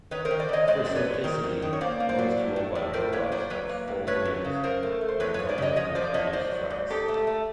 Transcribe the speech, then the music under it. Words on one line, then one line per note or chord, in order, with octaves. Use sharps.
For simplicity most mobile robots have four wheels or a number of continuous tracks.
D#3 B4 C#5
A#4 C5
D#3
C5 D5
D#3 C#5 D#5
G#3 C5 D5
F#2 D5
B4 C#5
F#2
C#5
D#3 A#4 C5
F#2
D#3
C#5
A#3 C5 D5
A#3
C5 D5
F#3
A2
A2
A2
A2 A#4 C5
A#3 B4 C#5
F#3 C5 D5
F#3 B4 C#5
A#3
A2
A3 B4 C#5
F#2
C#3
F#2 A#4 C5
A3
A3
C5
A3 B4 C#5
F3 B4 C#5
C5 D5
C#3 C#5 D#5
F3 C#5 D#5
F3 C5 D5
F3 C#5 D#5
G#2 C5 D5
F#3
G#2
G#2 G4 A4
A3
A3